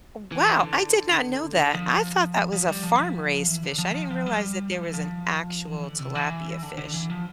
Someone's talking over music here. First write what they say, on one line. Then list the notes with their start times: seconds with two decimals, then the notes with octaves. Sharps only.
Wow, I did not know that, I thought that was a farm-raised fish, I didn't realize that there was an actual tilapia fish.
0.32 E3
0.62 D3
1.58 D3
1.74 F3
2.52 F3
2.68 G3
2.83 F3
3.00 F3
3.47 E3
3.63 D3
3.78 F3
3.94 F3
4.10 F3
4.26 G3
4.72 F3
4.83 E3
4.94 F3
5.67 E3
5.83 D3
5.99 C3
6.15 E3
6.63 D3
6.78 D3
6.94 E3
7.10 F3